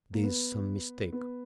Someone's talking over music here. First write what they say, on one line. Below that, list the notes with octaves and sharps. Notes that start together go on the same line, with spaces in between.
"There is some mistake."
A#3
B3
B3